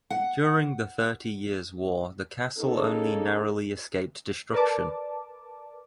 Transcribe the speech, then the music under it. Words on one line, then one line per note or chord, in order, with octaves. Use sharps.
During the Thirty Years' War the castle only narrowly escaped destruction.
F#5
A#3 C#4 D#4 G#4 A4
A#4 B4 D5 A5 D6